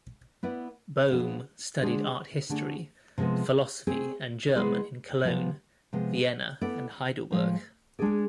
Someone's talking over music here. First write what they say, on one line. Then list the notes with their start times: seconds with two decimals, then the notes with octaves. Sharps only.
Boehm studied art history, philosophy and German in Cologne, Vienna and Heidelberg.
0.43 B3 E4 B4 D5
1.12 F3 B3 D4 G#4
1.81 D3 G#3 D4 G#4 C5
2.49 D3 A3 D4 G#4
3.18 C3 F3 G#3 B3
3.87 A3 C4 G#4
4.55 G#3 B3 E4 G#4 C5
5.25 C3 F3 B3 E4
5.93 C3 F3 G#3 B3
6.61 B3 E4 A4 D5
7.31 A2 F3 G#3
7.99 G#3 D4 G#4 D5